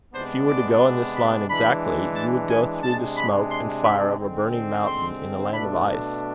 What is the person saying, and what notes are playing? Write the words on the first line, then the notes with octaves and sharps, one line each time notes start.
If you were to go in this line exactly, you would go through the smoke and fire of a burning mountain in a land of ice.
C3 G#3 B3 D4 C5
D5
B5
E3 G#3 D4 B5
A5
G#5
C3 G#3 D4 A5
B5
C6
B5
D3 G#3 C4
C6
B2 A3 D4 B5